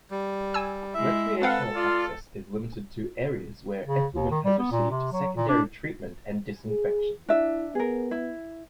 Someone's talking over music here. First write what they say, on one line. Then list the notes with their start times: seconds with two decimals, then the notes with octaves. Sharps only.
Recreational access is limited to areas where effluent has received secondary treatment and disinfection.
0.11 G3
0.54 G#5 E6
0.94 G#3 E4 E5
1.42 C4 A4 B4 F5 F#5
1.75 F4 D5
3.85 C#3
4.14 D#2
4.31 D#3
4.44 G3
4.58 B3
4.71 A#2
4.90 C3
5.12 F#3
5.35 A#2
5.48 D4
6.69 G#4
7.29 D4 E4 E5
7.75 B3 G#4 A#4
8.11 E4